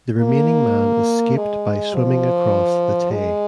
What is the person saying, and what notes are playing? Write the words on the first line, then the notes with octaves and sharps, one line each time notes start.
The remaining man escaped by swimming across the Tay.
A#3
G#3
F3
G#3